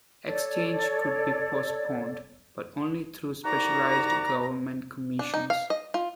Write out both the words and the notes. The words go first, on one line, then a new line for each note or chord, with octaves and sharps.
Exchange could be postponed, but only through specialised government commissions.
A4 C#5 D5
C2 D#4 F#4 D5 A#5
D4
D#4
F5
D#5
F4